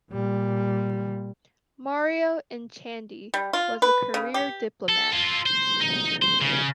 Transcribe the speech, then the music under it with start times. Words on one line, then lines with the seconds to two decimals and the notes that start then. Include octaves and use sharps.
Mario Echandi was a career diplomat.
0.11 A#2 G3
3.34 G3
3.53 F4
3.82 B4
4.14 C#3
4.34 G4
4.89 A4
5.13 F4 A4
5.46 C5
5.80 D#4
6.22 C5
6.42 C#3